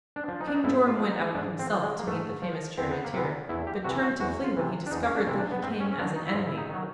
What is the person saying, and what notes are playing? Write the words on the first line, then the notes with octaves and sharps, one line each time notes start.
King Joram went out himself to meet the famous charioteer, but turned to flee when he discovered that he came as an enemy.
D4
F3
D#4
D4
D#4
G#2 E4
F4
F3
D#4
G#2 D4
C4
F3
G#3
A#3
G#2 A3
F3
E2 C4
B3
A#3
C3 E3 B3
E2 E4
G4
C3 E3 F#4
F#4
E2 F#4
F4
C3 E3
D4
E2 D#4
C#4
D4
C3 E3
D4
B3
G#2 C4
C#4
C#4
D#3 F#3 D4
D#4
E4
G#2 F4
E4
D#4
D#3 F#3